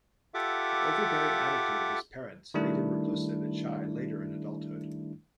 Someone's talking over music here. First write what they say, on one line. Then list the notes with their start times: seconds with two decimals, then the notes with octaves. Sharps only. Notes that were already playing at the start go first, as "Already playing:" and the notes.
The overbearing attitude of his parents made him reclusive and shy later in adulthood.
0.34 F4 G4 A4 E5 F#5 D6
2.54 D#3 G3 A3 D4 E4